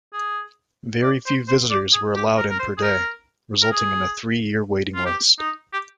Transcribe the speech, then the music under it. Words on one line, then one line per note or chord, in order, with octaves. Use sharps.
Very few visitors were allowed in per day, resulting in a three-year waiting list.
G#4
D5
C5
C5
D5
G#4
G4
A#4
A#4
C5
G#4
A#4
A#4
G#4
F4
G4
D#4
G4